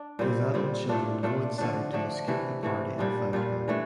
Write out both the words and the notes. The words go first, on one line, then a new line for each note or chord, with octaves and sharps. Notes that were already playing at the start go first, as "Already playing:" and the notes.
His adult children go inside to escape the party and find her.
Already playing: D4
A#2 G3 C4
A#2 G3 C4
A#2 A3 D4 F4
A#2 A3 D4 F4
D3 F3 A3 D4
D3 F3 A3 D4
C3 E3 A3
C3 E3 A3
A#2 G3 D4 F4
A#2 G3 D4 F4
E3 A3 D4